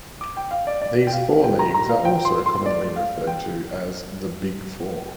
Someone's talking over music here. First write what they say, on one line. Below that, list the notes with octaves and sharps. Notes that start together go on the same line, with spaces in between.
These four leagues are also commonly referred to as the "Big Four".
D6
G5
F5
D5
D5
G5
F5
G5
A#5
A#5
F5
G5
C6
C6
D5
F5
G5